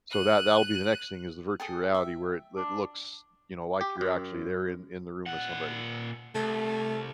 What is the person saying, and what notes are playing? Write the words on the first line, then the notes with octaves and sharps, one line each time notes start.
So, that that'll be the next thing, is the virtual reality, where it it looks, you know, like you're actually there in in the room with somebody.
F#6 D#7
G#4 A4 G5 D#6
E5
D4
G4
F#2
A#2 F#5
C2 A3